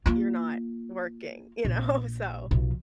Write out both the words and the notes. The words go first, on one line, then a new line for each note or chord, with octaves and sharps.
you're not working. You know? So,
A#3 F4
A#1
B1 F3